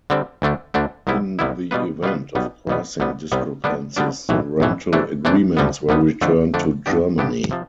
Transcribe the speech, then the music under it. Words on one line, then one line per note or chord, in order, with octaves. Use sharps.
In the event of pricing discrepancies, the rental agreements were returned to Germany.
D3 G3 C4
D2 D3 A3 D4
D2 D3 A3 D4
C2 C3 G3 B3 E4
C2 C3 G3 B3 E4
B2 G3 B3 F4 B4
B2 G3 B3 F4 B4
B1 B2 G3 B3
B1 B2 G3 B3
C2 C3 G3 B3
C2 C3 G3 B3
D3 G3 B3 D4
D3 G3 B3 D4
B1 A2 E3
B1 A2 E3
C3 E3 A3 D4
C3 E3 A3 D4
D2 D3 G3 B3
D2 D3 G3 B3
F2 D3 A3 D4
F2 D3 A3 D4
G2 E3 B3 D4 G4
G2 E3 B3 D4 G4
C3 F3